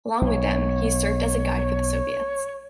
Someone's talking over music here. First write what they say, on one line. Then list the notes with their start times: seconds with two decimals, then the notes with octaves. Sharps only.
Along with them, he served as a guide for the Soviets.
0.21 B1 C#5